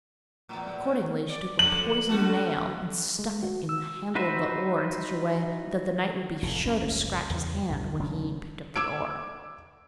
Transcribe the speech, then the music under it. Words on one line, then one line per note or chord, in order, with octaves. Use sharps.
Accordingly she took a poisoned nail and stuck it in the handle of the oar in such a way that the knight would be sure to scratch his hand when he picked up the oar.
E2 A2
D5
D3 F3 F#7
F#2 F#4 A4
G#3
F#4
E6
D#4 F#4 B4 C5 E5
F1 E2 A2
F#1 C#2 C#4
E2 C#3 E3
B1 G2 G3
E1 C#3 F#3 D4
D6 E6 G#6 D7